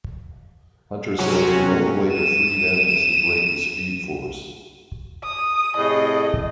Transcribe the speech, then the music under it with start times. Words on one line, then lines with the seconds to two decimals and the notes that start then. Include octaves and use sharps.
Hunter says the only way to free them is to break the Speed Force.
1.18 C3 F#3 C#4 F#4
2.12 D#7 E7
5.24 D#6
5.77 A2 C3 G#4 D#5